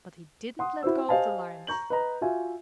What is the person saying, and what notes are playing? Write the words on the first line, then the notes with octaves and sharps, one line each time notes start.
But he didn't let go of the lines!
F#5 C6 D#6
E4 F#4 C5 E6
G4 C5 D#5 F5 G#5 A5
A#5 C#6 G6 F#7
B4 D#5 A#5
F4 F#4 E5 F5 G#5